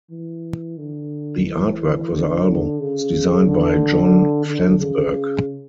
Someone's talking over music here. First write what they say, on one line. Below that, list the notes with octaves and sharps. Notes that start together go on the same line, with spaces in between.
The artwork for the album was designed by John Flansburgh.
E3
D3
E3
D3
C#3
D3
D3
C#3